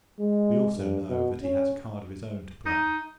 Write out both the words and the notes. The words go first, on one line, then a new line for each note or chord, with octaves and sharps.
We also know, that he has a card of his own to play.
G#3
G2
B2
C#4
D#4